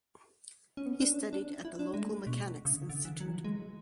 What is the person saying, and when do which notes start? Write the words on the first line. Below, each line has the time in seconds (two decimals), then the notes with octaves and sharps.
He studied at the local Mechanics Institute.
0.77 C#4
0.86 B3
1.00 D4
1.09 C#4
1.33 D4
1.65 E4
1.79 D4
1.94 G#3
2.03 A3
2.27 B2
2.65 C#3
2.73 D3
2.89 D3
3.05 E3
3.20 F#3
3.29 E3
3.36 F#3
3.44 G#3